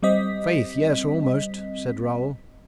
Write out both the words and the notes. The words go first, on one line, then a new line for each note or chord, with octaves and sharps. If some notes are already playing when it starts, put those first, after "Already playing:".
"Faith, yes, almost," said Raoul.
G3 C4 D#5 B6